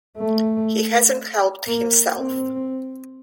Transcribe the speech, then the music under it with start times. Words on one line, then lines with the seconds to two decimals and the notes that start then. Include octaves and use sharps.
He hasn't helped himself.
0.17 A3
1.67 A#3
2.17 C4